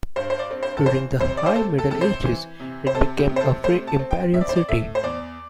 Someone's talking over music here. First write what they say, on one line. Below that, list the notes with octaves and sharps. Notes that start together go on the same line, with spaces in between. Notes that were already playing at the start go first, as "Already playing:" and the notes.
During the High Middle Ages, it became a Free Imperial City.
G2 C5
C5
D5
C4
C5
A4
E3 C5
C3 C5
D5
C5
A3 A4
A4
C3 A4
C5
E3
C3
C5
C3 A4
G4
C3
C5
A4
A3 C5
A5
C4
G5
C4 E5
D5
C5
D5
A2 E5
C5
E2 D5